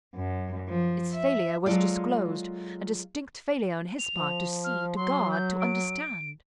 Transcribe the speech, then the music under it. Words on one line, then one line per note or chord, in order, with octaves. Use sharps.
Its failure was disclosed--a distinct failure, on his part, to see, to guard, to understand.
F#2
F3
E5
F#3 G#3 F4 A4 D5 F5
F7
F3
F6
F#3 C6
G6
D7